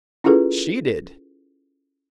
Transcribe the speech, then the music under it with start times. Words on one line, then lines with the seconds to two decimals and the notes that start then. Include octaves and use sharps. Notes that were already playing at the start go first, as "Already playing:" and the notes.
"She did."
0.24 C#4 E4 F4 G#4 A4 B4